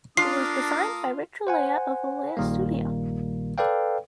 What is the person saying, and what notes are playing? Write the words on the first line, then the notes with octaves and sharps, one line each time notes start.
It was designed by Rich Olaya of Olaya Studio.
A#3 D4 F4 A4 D#6 C7
C5 F#5 G#5
A#1 A#2 D#3 G3 A#3
A4 B4 D5 F5 G5